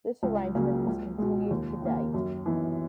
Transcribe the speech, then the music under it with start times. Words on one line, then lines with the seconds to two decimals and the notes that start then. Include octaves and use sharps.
This arrangement has continued to date.
0.23 C#2
0.55 C#3 F#3 A#3 C#4
0.87 C#2
1.18 B2 G#3
1.50 D#2
1.82 D#3 A#3
2.14 F#2
2.46 E3 B3 D#4